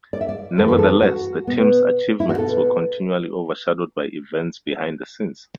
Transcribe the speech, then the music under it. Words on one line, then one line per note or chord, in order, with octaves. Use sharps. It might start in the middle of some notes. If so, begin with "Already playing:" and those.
Nevertheless, the team's achievements were continually overshadowed by events behind the scenes.
D5
E5
D5
F#2 E3 B3 A4
B4
A4
F#4
B2 B3
E4
F#4
B2 B3 A4